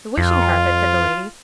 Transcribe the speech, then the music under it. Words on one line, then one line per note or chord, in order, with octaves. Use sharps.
'The wishing carpet?' said the lady.
F2 F4